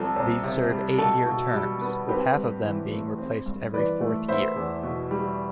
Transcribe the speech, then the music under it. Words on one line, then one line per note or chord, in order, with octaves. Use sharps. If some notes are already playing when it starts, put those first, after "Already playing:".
These serve eight-year terms, with half of them being replaced every fourth year.
Already playing: C2 F3 A4
C2
C3
G3
B2 A4
B2
G3
B3
C4 G4 B4
G2
E3
A3
C4
G2
E3 B4 D5
A3
B3 C5 E5
E2
B2
G3